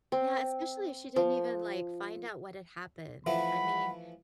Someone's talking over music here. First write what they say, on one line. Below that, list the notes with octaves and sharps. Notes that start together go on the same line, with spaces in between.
Yeah, especially if she didn't even, like, find out what had happened. I mean,
C4
F3
E3 F3 A3 F#5 B5